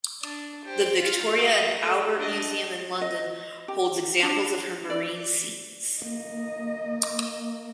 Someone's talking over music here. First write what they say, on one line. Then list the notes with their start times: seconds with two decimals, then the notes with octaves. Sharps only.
The Victoria and Albert Museum in London holds examples of her marine scenes.
0.23 D4
0.64 G4 C5
1.01 F4 F5
1.38 F#4 D#6
1.79 A3 A4
2.17 D4 D#5
3.01 D#5
3.68 G4
4.22 D4
4.90 D5
6.02 A#3 D#5